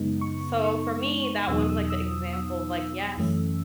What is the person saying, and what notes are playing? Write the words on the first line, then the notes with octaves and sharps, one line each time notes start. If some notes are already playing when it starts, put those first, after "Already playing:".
so for me, that was like the example of, like, "Yes,"
Already playing: F#2 C#3 G#3 B3 D#4
C#6
C#6
E2 B2 F#3 B3 D#4 E6
D#6
E6
E6
E6
F#2 E3 A3 C#4